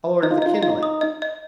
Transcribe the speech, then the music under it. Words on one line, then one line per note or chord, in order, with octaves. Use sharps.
I'll order the kindling!
D#4 D#5
F4
D#4
F4 D#5
D#4
F4 D#5
D#4
D#6
D#5
D#5